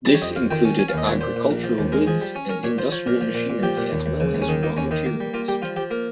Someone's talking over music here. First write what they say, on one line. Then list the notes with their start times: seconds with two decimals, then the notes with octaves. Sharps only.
This included agricultural goods and industrial machinery as well as raw materials.
0.08 G3
0.14 C#5
0.22 F2 D#5
0.36 F2 F5
0.50 D#3 G5
0.65 C#4
0.79 C#4 G#5
0.89 F5
0.93 D#2 D#5
1.07 A#2 C#5
1.21 A#2 C5
1.36 A#2
1.51 A#1
1.64 F3
1.78 D#2
1.92 G#3 A#4
2.07 F3 G#4
2.21 G3
2.35 C#4
2.49 C#4 A#4
2.64 A#2 C#5
2.78 F3 C5
2.92 F3 C#5
3.06 A#2 A#4
3.21 F3
3.35 A#2
3.50 A#2
3.63 F3 G4
3.77 A#2
3.92 D#2
4.06 D#2
4.20 C#3
4.35 D#2
4.42 C#4
4.49 D#3 D#4
4.63 A#3 D#4
4.77 D#2 C#4
4.91 D#3 D#4
5.06 A#3
5.20 G3
5.34 A#3 F4
5.48 G3 G4
5.62 F3 F4
5.76 F3 G4
5.91 A#3 A#4